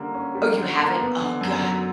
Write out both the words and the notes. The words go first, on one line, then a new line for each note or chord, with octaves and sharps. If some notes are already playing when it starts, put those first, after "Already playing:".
Oh, you haven't? Oh, god,
Already playing: D3 G3 A#3 C#4
C#4
G3
D3
A#3
B3
D3
F#2
F#3